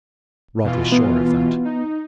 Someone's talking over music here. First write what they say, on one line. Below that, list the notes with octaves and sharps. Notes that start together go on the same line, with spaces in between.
Rod was sure of that.
B2 E3 F4
B3
D#4